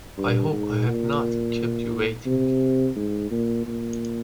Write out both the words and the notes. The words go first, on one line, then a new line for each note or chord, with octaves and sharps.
I hope I have not kept you waiting.
G2
G#2
A#2
C3
G#2
A#2
A#2